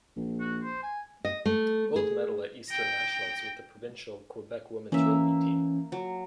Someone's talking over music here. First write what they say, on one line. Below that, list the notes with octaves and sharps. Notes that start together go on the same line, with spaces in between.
Gold Medal at Eastern Nationals with the Provincial Quebec Women’s Rugby team.
A#1
F#4
C5
G#5
D#5
A3
G#4
G5 A#6
E3 A#3 C#4 E5
F#3